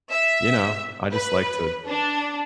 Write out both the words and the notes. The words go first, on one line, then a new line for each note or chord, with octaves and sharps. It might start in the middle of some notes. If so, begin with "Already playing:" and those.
you know, I just like to
E5
B4
D4